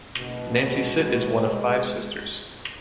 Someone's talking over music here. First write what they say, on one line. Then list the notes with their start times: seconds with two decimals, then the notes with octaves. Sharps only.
Nancy Sit is one of five sisters.
0.16 F#1 B2
0.63 G#3